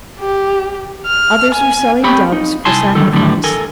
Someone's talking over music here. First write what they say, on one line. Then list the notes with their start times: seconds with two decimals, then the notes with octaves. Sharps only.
Others were selling doves for sacrifice.
0.20 G4
1.07 F6
1.55 G#5
2.04 C4 G4 C#5 G#5 B5
2.32 D#4
2.65 C2 E4 G#5 A5 C6
2.95 D3 D#3 F#3 G3 A4
3.13 A2 D3 D#3 F#3 G3
3.44 A4 A#4 G#5